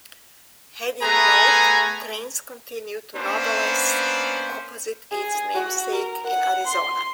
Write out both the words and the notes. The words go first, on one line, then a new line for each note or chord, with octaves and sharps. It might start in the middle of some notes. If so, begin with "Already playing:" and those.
Heading north, trains continued to Nogales, opposite its namesake in Arizona.
A3 B3 G#4 B4 G#5 A#5
A#3 B3 C#4 D4 B4 C5
G#4
F#4
A#4
F#5
C6